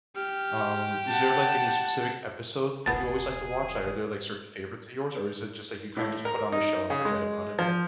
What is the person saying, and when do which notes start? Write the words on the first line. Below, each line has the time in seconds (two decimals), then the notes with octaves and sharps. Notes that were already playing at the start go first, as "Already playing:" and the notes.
Um, is there, like, any specific episodes that you always like to watch, like, are there, like, certain favorites of yours, or is it just, like, you kinda just put on the show and forget about it?
0.16 G4 F6
1.07 F#5 A5
2.86 E1 B1 A#2 B3 G#4 A5 A6
5.97 A2
6.25 A#4
6.52 D#4
6.90 C#3
7.05 G#3
7.59 F3